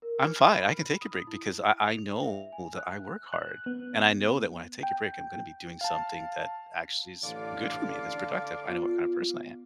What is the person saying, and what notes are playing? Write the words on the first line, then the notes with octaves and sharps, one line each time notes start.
I'm fine. I can take a break because I I know that I work hard. And I know that when I take a break, I'm gonna be doing something that actually is good for me, that's productive. I know what kind of person I am."
A#4
F6
B5
D#6
E4
F7
E5
G#5
F#6
F#6
B3
G5
F5 A5
A1 D3 D5 F5
B3 F4